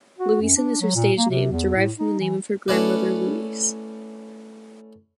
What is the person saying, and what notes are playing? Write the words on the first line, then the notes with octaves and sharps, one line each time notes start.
Louisan is her stage name, derived from the name of her grandmother, Louise.
F#4
F#2
D4
F#3
A#2
A#3
C3
E2
A2
D#4
E3
A3 C#4 E4 B4 D5